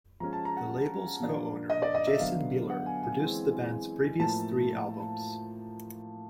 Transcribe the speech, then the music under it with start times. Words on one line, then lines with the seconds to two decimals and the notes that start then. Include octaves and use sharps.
The label's co-owner, Jason Bieler, produced the band's previous three albums.
0.20 F3 G#3 C#4 A#5
0.33 A5
0.45 A#5
0.57 F#5
1.20 A#2 F3 A#3 D4
1.70 D#5
1.82 D5
1.95 D#5
2.07 E5
2.19 D3 F#3 B3 D4 F5
2.70 F#5
2.86 G#5
3.03 G#5
3.20 E3 G#3 C4
4.19 A2 F3 A#3 A5